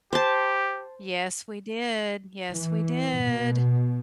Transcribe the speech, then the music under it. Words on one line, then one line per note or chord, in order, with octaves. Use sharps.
Yes, we did. Yes, we did.
G4 C5 A5
E3
B2